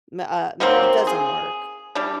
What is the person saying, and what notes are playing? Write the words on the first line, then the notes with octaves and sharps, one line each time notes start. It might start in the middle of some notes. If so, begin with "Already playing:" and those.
ma uh, m it doesn't work.
D#3 F#3 A#3 C4
G#4
G3 D4